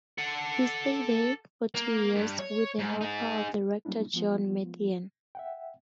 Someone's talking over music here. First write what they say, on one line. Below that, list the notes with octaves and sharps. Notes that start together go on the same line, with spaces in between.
He stayed there for two years with the help of the rector John Methuen.
A4 F#5
A#3
G2
C#5
G#2
D#4 G#4
F#3 G3 A#3 C#4 D4 E4
F3 G#3 B3 F4
E5 F#5 G5